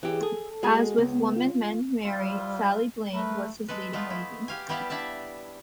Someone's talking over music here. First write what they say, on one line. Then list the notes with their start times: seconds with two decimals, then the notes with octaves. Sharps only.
As with "Women Men Marry", Sally Blane was his leading lady.
0.03 E3 G4 G#4
0.23 G#4 A4
0.63 G#3 F#4 G#4
0.98 C#2 B3
1.36 F4
2.03 G3 E4 F4 C5
3.12 A3 A#4 B4
3.68 G#3 A4 B4
3.93 G#3 A3 B3 F4
4.10 E4
4.48 G4 F5 G#5
4.69 G3 B3 E4 G4 F5 A5
4.90 D4 E4 D5 E5 A5